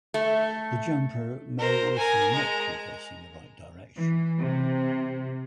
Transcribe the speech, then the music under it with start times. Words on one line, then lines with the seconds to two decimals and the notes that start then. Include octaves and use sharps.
The jumper may also not be facing the right direction.
0.14 A3
1.59 A#4 C5
1.97 A#4 G#5
2.31 G#3 A#5
3.97 E3
4.39 C3